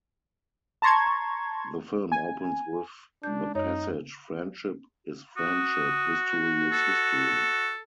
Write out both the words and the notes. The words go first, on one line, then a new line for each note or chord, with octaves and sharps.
The film opens with the passage Friendship is friendship; history is history.
A5 A#5 C6 C#6 G#6
G#5
G#3 D4 G6
F#2 D#4 C#5
F#4 D#6
A4